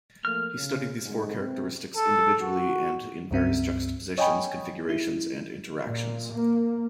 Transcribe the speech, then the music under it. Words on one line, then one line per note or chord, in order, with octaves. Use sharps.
He studied these four characteristics individually and in various juxtapositions, configurations, and interactions.
F3 A3 A#3 F6
C#3
G1 C2 G#2
C3
A4
F#4
C#2 G2 C4 E5
C#5 D#5 G5 G#5 B5 C#6
E4
A#2
A#3